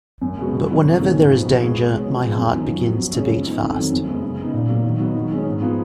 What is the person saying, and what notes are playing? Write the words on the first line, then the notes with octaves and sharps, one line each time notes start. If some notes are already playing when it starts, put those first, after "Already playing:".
But whenever there is danger my heart begins to beat fast.
F#2
C#3 G#3 B3 F#4
B2
F#3 B3
F2
D#3 A#3 C#4 F#4
G#2
F3 B3 F#4
B2
G#3 B3 F4 G#4
B2
G#3 C#4
F3
B3 F4 G#4
F#2
D#3 F#3
F3
B3 F#4
F#2
C#3 G#3 C#4
F3
B3 D#4
F2
D#3 F#3
F#2
C#3 G#3 B3
C#3
G#3 B3 D#4
A#2
F#3 A#3
D#3
F#3 B3 D#4
D#3
G#3 C#4
G#2
F3 B3 F4 G#4